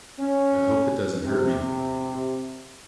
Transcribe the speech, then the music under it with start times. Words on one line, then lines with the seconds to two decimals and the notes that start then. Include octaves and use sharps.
I hope it doesn’t hurt me.
0.19 C#4
1.24 C3